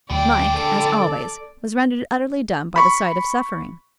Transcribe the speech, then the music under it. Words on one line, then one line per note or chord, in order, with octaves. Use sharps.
Mike, as always, was rendered utterly dumb by the sight of suffering.
D2 F#3 B3 D5 G5
D3 A4
B5 C#6